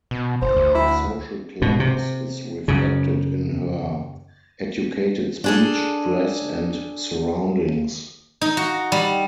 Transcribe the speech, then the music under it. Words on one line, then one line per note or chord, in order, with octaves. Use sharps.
Her social class is reflected in her "educated speech, dress, and surroundings".
B2
G1 C5
D2
E4
G#2 B2
C3
F#2 C#3
D4 G#4 A4
D#4
F#4
G3